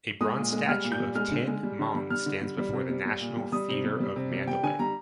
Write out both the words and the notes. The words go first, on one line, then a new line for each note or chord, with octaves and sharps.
A bronze statue of Tin Maung stands before the National Theatre of Mandalay.
G#3 D#6
A#2
G#3
G3 F6
A#2
G6
G3
G#3 F6
D3
G#3
G3
D3
G3
G3 F6
D3
G3
G3
C3
G3
G3
A#2
G3
G3 D#6
C3
G3
G3
C3
G3
G3 G5
D3 G#5
G3 A#5